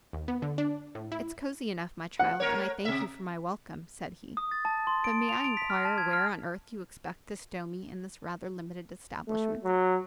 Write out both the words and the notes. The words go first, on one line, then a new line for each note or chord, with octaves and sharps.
"It's cozy enough, my child; and I thank you for my welcome," said he. "But may I enquire where on earth you expect to stow me in this rather limited establishment?"
D#2
B3
D3
D4
A2
E4
F#5
A3 A#4 C#5
C3 E5
D#6
A6
A5
C6
D7
F7
D7
B6
F6
A5
G#6
F6
A3
F#3